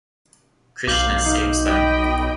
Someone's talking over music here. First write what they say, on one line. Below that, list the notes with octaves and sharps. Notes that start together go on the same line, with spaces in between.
Krishna saves them.
B1 F5 D6 G6 F#7
D#4
D#5 G5 B5